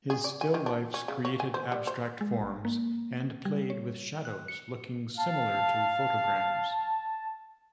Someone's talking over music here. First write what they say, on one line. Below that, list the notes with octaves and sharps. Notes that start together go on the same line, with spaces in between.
His still life's created abstract forms and played with shadows looking similar to photograms.
G#4
D5
G#5
D#3
D4
C#4
C#3
C#5
G#5
C5
G3
C5
G#3
G#1
A#3
G3
C#5
F#6
C#7
F5 A5